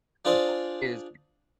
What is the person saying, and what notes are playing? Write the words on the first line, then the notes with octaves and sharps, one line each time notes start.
the book is,
D4 F4 G#4 C5 D5